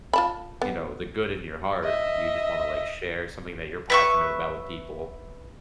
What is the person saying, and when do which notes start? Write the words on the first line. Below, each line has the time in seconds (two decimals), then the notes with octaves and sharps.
you know, the good in your heart. You just wanna, like, share something that you're passionate about with people.
0.13 F4 A5 B5
0.62 B3
1.84 D#5 E5
3.90 B4 E5 C#6